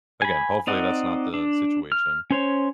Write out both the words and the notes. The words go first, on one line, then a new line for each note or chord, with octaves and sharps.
again, hopefully, that's not the situation.
G#5 B5
C4 D#4 D5 D#5 F#5
D4
F6
C#4 C5 C#5